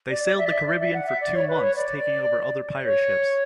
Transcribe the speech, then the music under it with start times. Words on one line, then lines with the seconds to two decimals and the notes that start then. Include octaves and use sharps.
They sailed the Caribbean for two months, taking over other pirate ships.
0.10 D5
0.24 D5
0.38 E5
0.47 D5
0.52 E5
0.65 D5
0.80 E5
0.94 F#5
1.07 E5
1.21 D5
1.34 C#5
1.48 B4
1.61 C#5
1.75 D5
2.84 C#5